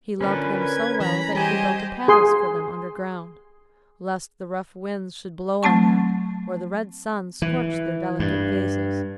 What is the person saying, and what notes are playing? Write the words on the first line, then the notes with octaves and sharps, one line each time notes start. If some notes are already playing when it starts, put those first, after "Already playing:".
He loved them so well that he built a palace for them underground, lest the rough winds should blow on them or the red sun scorch their delicate faces.
D3 F3 C#4 A#4 B4
G#6
E3 A#5 B5
G3 G4 G#4 C5 D#5 G5 G#5
G#4 C6
F#3 A3 C4 A5 C#6
E3
G2